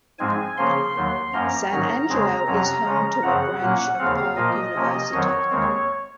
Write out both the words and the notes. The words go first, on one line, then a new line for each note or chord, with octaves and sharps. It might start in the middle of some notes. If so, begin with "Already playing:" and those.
San Angelo is home to a branch of Park University.
G#2 F3 G#3 C4 G#5
C#3 F3 A#3 C#4 C6
D#2 D#3 F#3
F#2 F3 A#3 C#4 A#5
G#2 D#3 F#3 C#4 A#5
F2 C#3 G#3 C4
F2 C3 F#3 C#4
C#3 F3 G#3 C#4
F#2 C#3 F3 C4 F#5
A#2 F#3 A#3 C#4
D#2 C#3 F3 C4 F5
A#2 F3 A#3 D#5
C3 F3 A#3 C#4
F2 D#3 F#3 C4 C#5
D#2 D#3 G#3 C4